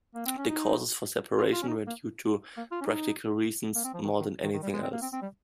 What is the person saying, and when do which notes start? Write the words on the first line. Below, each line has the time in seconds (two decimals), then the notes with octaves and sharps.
The causes for separation were due to practical reasons more than anything else.
0.15 A#3
0.26 C4
0.38 C#4
0.49 D#4
1.38 F4
1.53 F4
1.62 C#4
1.68 D#4
1.87 A#3
2.57 A#3
2.71 F4
2.81 C#4
2.86 D#4
3.76 A#3
3.84 C4
3.94 F3
4.05 D#3
4.20 D#3
4.43 D#3
4.54 D#3
4.63 G3
4.74 G#3
4.83 C4
4.93 A#3
5.02 C4
5.13 C4
5.22 G3